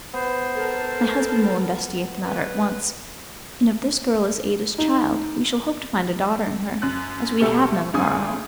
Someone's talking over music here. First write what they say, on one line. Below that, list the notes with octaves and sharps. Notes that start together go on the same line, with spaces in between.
"My husband will investigate the matter at once, and if this girl is Ada's child we shall hope to find a daughter in her, as we have none of our own."
B3 C5
A4 A#4 A5
B4
D#4
F#2 F#6
B2 G3 A3 A4
F#1 C#2 D3 G#5 D#6